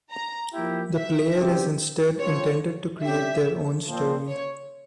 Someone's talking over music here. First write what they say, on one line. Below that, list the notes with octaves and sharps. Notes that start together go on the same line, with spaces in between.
The player is instead intended to create their own story.
A#5
F3 A#3 E4 G4
E5
C#3 E3 G3 C4 G4
C#3 F3 C4 C#5
C3 G3 C#4 G4 E5
A#2 F3 C4
C#5